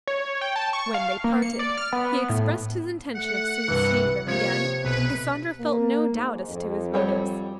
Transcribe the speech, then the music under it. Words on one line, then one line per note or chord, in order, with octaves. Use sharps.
When they parted, he expressed his intention of soon seeing them again; and Cassandra felt no doubt as to his motives.
C#5
G5
A5
C#6
F5
A#3
C#7
D5
F6
B3
A2
A3 F#5
C2 G2 E3 B4
C3 F3 A#3 C#5
B1 B4
A#3
G#2
F2
F#3 G3 C#5